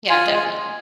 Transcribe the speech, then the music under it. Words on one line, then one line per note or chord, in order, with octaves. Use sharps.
Yeah, definitely.
F4 G#5
G#3